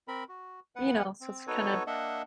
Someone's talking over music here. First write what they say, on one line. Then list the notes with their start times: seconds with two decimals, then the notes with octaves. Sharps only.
You know, so it's kind of
0.08 C4 A#4 B5
0.29 F#4
0.76 B3 B4 F#5
1.21 C4
1.47 B3 D#4 F#4 A4 B4 C#5
1.87 A#3 D4 D#5 E5 F#5